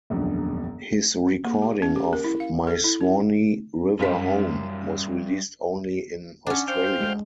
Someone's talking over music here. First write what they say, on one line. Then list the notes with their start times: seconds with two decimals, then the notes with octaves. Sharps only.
His recording of "My Swanee River Home" was released only in Australia.
0.10 E1 A#1 F#2 D3
1.45 A#3
1.62 G4
1.82 C#4
1.96 G4
2.13 A#4
2.24 E4
2.40 F5
2.67 A4
2.84 E4
3.01 C#4
3.99 F#2 G3 C#4 F5 B6
6.47 C#4 D4 F#5
6.68 C5 F5 G5
7.01 G#3